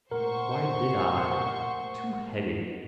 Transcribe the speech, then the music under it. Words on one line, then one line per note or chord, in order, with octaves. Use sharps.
Why did I? Too heady.
A#2 A3 A#4 C5 F#5 C#6